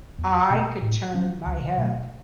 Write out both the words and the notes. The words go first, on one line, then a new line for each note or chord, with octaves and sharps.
I could turn my head.
E2
B2 A3
A2
F#3 C#4
C#2
B2 F#3 A3